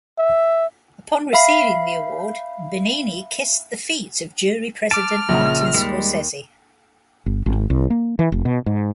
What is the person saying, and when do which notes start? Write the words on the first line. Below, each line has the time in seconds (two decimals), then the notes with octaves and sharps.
Upon receiving the award, Benigni kissed the feet of jury president Martin Scorsese.
0.19 E5
1.33 E5 F5 B5 C7
4.91 A5 D6 F6 D7
5.29 A#1 C#3
5.74 D#2 G3 G#3
7.26 G1
7.46 G#1
7.70 C2
7.90 A#3
8.19 E3
8.32 F1
8.45 B2
8.66 G#2